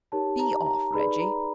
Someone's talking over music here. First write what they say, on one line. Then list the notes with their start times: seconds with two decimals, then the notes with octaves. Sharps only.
"Be off, Reggie!"
0.12 D#4 G4 A#4 C#5 A5
0.39 A#5
0.66 A#5
0.93 D#4 G#4 B4 D5 B5
1.20 A#5